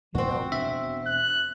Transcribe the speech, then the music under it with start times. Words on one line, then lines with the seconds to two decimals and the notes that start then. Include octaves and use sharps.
you know,
0.15 F2 F3 G#3 C4 F#4
0.52 E1 B2 D4 E5
1.07 F#6